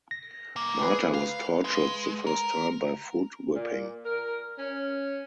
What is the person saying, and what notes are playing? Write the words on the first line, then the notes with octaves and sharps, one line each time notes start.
Martha was tortured the first time by foot whipping.
A#6
C2 A#3
G#4 B4
F5
G#3
A#4
A#2
A#4
C#4